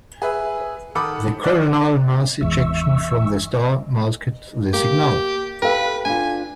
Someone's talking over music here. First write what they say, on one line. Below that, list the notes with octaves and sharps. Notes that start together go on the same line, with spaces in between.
The coronal mass ejection from the star masked the signal.
G#4 B4 E5
D#3 A4 F#5 B5 D6 D#6
D5 F#6
G#1 E2 E5 C#6 E6
A#3 G4
G4 A4 B4 F5
D4 F4 G#5